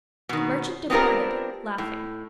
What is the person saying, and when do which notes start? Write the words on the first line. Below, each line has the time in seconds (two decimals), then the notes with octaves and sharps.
The merchant departed, laughing.
0.29 B2 D#3
0.90 B3 C4 D4 F4 G4 A#4
1.78 A2